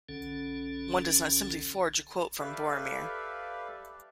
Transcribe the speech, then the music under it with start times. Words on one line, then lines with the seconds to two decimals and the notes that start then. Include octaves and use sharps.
One does not simply forge a quote from Boromir.
0.09 B1 D3 C#4 A4
2.40 G4 A4 B4 D5 E5 F5